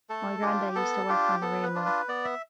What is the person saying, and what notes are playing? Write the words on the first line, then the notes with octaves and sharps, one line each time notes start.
My grandad used to work on the railway.
A3 A4
D4 F4 G4
B3 A4
D4 F4 G4
B3 A4
B4
D4 F4
B4
B3 D5
E5